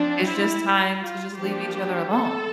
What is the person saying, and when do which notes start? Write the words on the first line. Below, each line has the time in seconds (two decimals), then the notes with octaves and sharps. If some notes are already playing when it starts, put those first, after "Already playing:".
it's just time to just leave each other alone.
Already playing: F3 C4 D4
0.26 E4
1.00 F4
1.36 F3 A#3 D4 G4
2.10 A4